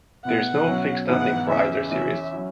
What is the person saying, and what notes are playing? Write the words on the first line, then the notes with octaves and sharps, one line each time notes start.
There is no fixed ending for either series.
B2 B3 E4 F#5
B2 F#3 C#4 E4
G#2 E3 B3 E4 F#5
E2 C#3 E3 E5
E2 E3 C#4 E4 E5
F#3 C#4 E4